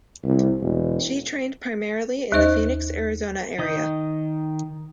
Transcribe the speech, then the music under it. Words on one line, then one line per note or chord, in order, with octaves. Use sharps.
She trained primarily in the Phoenix, Arizona area.
C2
E1
D#2 D#4 C5 D#5
D#3 D#5 D#6 G6